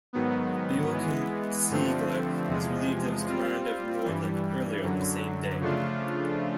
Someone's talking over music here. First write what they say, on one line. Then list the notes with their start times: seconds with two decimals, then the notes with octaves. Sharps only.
Joachim Ziegler was relieved of his command of "Nordland" earlier the same day.
0.13 G#2 D#3 F#3 B3
0.91 E3 G#3 B3
1.70 G2 D3 F3 A3 C4
2.48 E2 C3 F3 G#3
3.26 G3 C4 F4
4.05 G2 E3 G3
4.83 F#2 D3 F#3
5.61 C#3 F3 A3 D4 F4